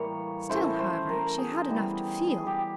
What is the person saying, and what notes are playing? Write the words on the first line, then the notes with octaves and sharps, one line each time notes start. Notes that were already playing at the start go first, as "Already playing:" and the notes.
Still, however, she had enough to feel!
Already playing: A2 E3 G3 A#3 C#5
E3 A3 C#4 E4 C5
C5
A#4
G#4
E3 G3 B3
G#4
G4